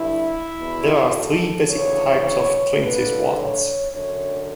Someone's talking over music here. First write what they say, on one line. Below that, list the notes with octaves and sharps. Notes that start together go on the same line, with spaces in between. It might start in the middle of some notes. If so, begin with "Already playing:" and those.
There are three basic types of prince's wands.
Already playing: G2 D3 E4
E2 B2
A4
D2 C#3 E3 C#5
G2 D3 B4
C#5
F#2 D3 C#5